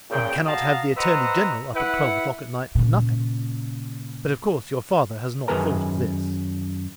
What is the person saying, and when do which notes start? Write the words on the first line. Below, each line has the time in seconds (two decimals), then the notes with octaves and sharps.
"One cannot have the attorney-general up at twelve o'clock at night for nothing;--but of course your father has not thought of this."
0.10 A#2 C#3 G5
0.47 F#4 D#5 F5 A5 A#5
0.97 B4 C5 D#5 E5 F#5 A#5
1.74 E4 B4 F#5
2.75 A#2 C#3
5.48 F#2 D#3 G#4 A#4 B4 A#5